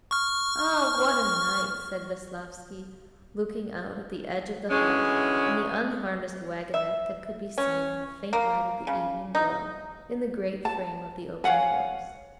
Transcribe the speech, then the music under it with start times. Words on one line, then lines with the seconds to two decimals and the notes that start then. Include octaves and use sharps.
"Ah, what a night!" said Veslovsky, looking out at the edge of the hut and the unharnessed wagonette that could be seen in the faint light of the evening glow in the great frame of the open doors.
0.11 C#6 F6
4.71 D2 E3 G#3 C#4
6.74 E5
7.58 C#4
8.33 A#3
8.87 C#3
9.35 D#4
10.65 A5
11.44 C#5 F5 F#5 G#5